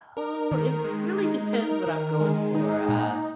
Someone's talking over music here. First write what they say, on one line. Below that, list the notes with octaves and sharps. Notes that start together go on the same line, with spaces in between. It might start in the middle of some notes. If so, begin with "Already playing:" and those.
oh, it really depends what I'm going for, uh,
A#4
D#3
G#3
D#4
A#4
D#3
G#3
D#4
A#2